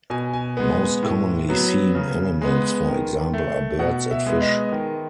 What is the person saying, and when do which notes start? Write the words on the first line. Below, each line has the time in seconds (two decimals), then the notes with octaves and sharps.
Most commonly seen animals for example are birds and fish.
0.10 B2 G#5
0.33 G#5
0.57 G#3 B3
1.03 A2
1.49 F#3 B3
1.95 C#3
2.41 G#3 B3
2.88 D#3
3.34 A3
3.79 B2 F#5
4.11 E5
4.26 G#3 B3
4.42 D#5
4.72 D#3